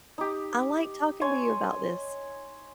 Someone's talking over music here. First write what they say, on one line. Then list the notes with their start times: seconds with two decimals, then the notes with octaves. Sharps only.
I like talking to you about this.
0.18 D#4 G4
1.21 C#5 G#5 C6